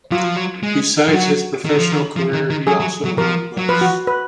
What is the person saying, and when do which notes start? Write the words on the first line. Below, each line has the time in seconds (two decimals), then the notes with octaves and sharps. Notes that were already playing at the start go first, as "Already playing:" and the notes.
Besides his professional career he also wrote books.
0.11 F#3 F4
0.24 F3
0.36 F#3
0.63 G#3
1.08 F3
1.14 F#3 F#4
1.65 D#3
1.78 F3
1.92 D#3
2.16 F3
2.33 D#3
2.50 D#3
2.67 F#3 G#4
2.80 F#3
3.05 F#3
3.18 F3 A#4
3.57 F#3
3.69 F3 B4
3.81 F#4
4.07 B4